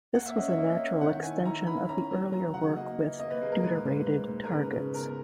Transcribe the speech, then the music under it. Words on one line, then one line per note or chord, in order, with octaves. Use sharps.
This was a natural extension of the earlier work with deuterated targets.
A#3 F#5
E5
C#4 D#5
E5
A#3
C#4
D#3 F#5
E4 G#5
E4 A#5
E4 B5
C#4 A#5
F#3
F#3 A#5
C#3 F#5
A#3 D#5
E3
A#3 D#5
B4
A#3 G#4
A#4
G#2 B4
G#2
G#2
G#2
A#4
C#3 B4
C#3
B3 A#4